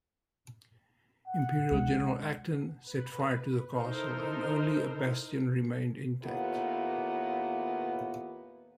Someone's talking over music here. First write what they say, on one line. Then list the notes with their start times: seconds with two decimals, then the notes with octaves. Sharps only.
Imperial general Acton set fire to the castle and only a bastion remained intact.
1.27 F#5
1.71 G#3 D4
2.86 B4
3.76 D#4 E4 A4 A#4 C5
6.22 D#2 A2 A#3 B3 F4 B4